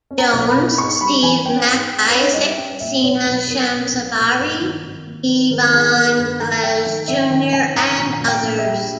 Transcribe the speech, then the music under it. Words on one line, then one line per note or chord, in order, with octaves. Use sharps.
Jones, Steve MacIsaac, Sina Shamsavari, Ivan Velez Junior and others.
C#4
A#5
B1
B5
B2
G#2 C#6
G3 B5
E3 G#5
C#4 G5
G#2
G#2
C#4 B4
C#5
G3 D#5
E5
C#4 G5
A#2 E5
B1 C#5
B1 B4
B1 A#4
C#4
B1
A#2
G2
D#3
G#1
A#3
D#3 B4
G#1 A#4
D#3 G#4
D#3 A#4
G2 B4
D#3 A#5
D#3 G5
D#3 G5
G#1 E5
D#3 G5
G#1 G#5
G#1 A#5
A#1 A#5
A#2
G5
A#1
E5
G3